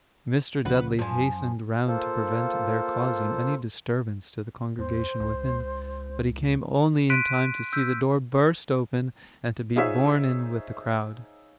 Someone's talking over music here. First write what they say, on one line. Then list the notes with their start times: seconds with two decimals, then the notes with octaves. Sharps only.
Mr. Dudley hastened round to prevent their causing any disturbance to the congregation within; but he came only in time to see the door burst open, and to be borne in with the crowd.
0.65 C#2 C#3 F3 B4 F#5
0.99 F#2 F3 G#5
1.87 A#3 F4 A4 C5
4.79 E2 C5
5.20 C#2
7.10 C6 F#6 B6 D7 D#7
7.73 E6 G6 B6
9.76 D#4 F4 G#4 C5 C#5 E5